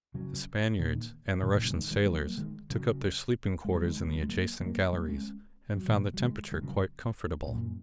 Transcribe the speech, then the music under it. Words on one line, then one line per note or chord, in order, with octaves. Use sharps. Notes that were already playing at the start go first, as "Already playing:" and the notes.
The Spaniards and the Russian sailors took up their sleeping-quarters in the adjacent galleries, and found the temperature quite comfortable.
C#3 F#3
A#2 D#3
A#2 D#3
A#2 D#3
C#3 F#3
D#3 G#3
D#3 G#3
F#3 A#3
F#3 A#3
D#3 G#3
C#3 F#3
G#3
F#3
D#3 G#3
C#3
D#3
F#3
G#3
F#3 A#3
F#3 A#3
F#3 A#3
G#3 C#4
F#3
A#2 D#3
F#3
D#3 G#3
D#3 G#3
C#3 F#3
F#2 A#2